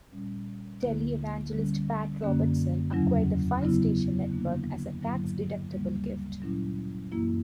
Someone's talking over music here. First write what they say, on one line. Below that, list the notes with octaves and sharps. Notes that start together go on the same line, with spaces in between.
Televangelist Pat Robertson acquired the five-station network as a tax-deductible gift.
A#2 G3 C#4
D2 D3 A#3 E4
D3 G3 C#4
F#2 D3 A#3 C#4
E2 C#3 F#3 C#4 E4
C#3 F#3 B3 E4
D3 A#3 D4
G2 D3 F#3 A#3 E4
D2 C#3 G3 A#3
A#2 F#3 C#4 E4
F#2 E3 A#3 E4